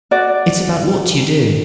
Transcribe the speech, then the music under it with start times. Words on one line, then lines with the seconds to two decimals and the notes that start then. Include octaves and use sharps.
It's about what you do.
0.11 F#4 D5